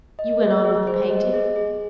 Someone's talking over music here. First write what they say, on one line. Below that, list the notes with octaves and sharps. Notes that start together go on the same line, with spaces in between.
You went on with the painting?'
D#5
G#4
G#4
C5
D#5
G#4
G#4